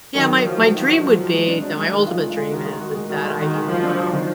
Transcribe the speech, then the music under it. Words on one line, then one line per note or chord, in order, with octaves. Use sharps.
Yeah, my my dream would be no, my ultimate dream is is that I can, um,
D#3 F#3
F#3
F3 F#3
F#4
D#3 F#4
F#4
F3 F#3
F#3
G#3
D4
F#3 D4
G#3
D#3 G#3
F4
G#3
G#3
D#3 F#4
G#3
F#4
G#3
D#3 F#4
G#3
D#3 F#4
G#3
F3 F#3
D4
F#3
D#3